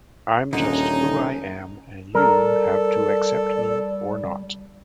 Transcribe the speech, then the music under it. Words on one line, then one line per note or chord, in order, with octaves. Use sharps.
I'm just who I am and you have to accept me or not.
D#1 D3 C#4 D#4
G3 A4 A#4 D5